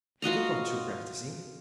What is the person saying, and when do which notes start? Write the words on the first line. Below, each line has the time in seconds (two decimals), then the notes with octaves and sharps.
Have you got through practising?
0.22 F4 F#4 D#5 A#5